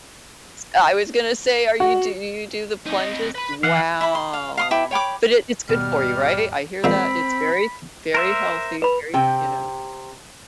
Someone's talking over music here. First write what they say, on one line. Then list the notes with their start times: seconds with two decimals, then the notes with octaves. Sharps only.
S I was gonna say, are you do you you do the plunges? Wow. But it it's good for you, right? I hear that it's very, very healthy. Very, you know
1.80 F#4
2.86 F2 D#4
2.99 C4 D#5
3.35 B4 B5
3.63 E3 F5 F#5
4.01 E4 B5
4.15 C6
4.33 F5
4.57 F5 C6 D#6
4.71 E4 G5 D6
4.91 C#5 G5 B5 D6
5.69 G#1 D#2 B2 G3 F6
6.84 A#2 G#3 A#3 C4 B5
8.14 A#4 C5 E5
8.82 B4 B5
9.14 C3 G5